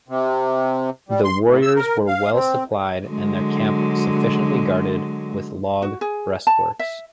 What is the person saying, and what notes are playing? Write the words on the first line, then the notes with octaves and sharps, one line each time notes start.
The warriors were well supplied and their camp sufficiently guarded with log breastworks.
C3
G3
C6
A2
E6
A#4
F5
C4
D3 F#3 G#3
F#4
G#4
A5
E5